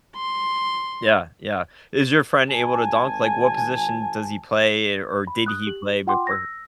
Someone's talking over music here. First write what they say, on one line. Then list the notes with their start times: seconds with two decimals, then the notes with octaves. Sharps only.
Yeah, yeah. Is your friend able to dunk? Like, what position does he play, or did he play before
0.16 C6
2.50 G#1 G#5 A5
5.27 B5
5.46 D#6 F#6
5.67 G4 F#7
6.07 F4 F#5 G5 C6 D6
6.27 E6 A#6